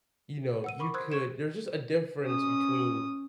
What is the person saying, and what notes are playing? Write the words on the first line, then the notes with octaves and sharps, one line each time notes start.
you know, you could there's just a difference between
F#5 E6 D#7
A#4 B5 C#6 D6
C5 C6 D#6 E6 F#6 G#6
C#6 G#6 E7
C#4 D#6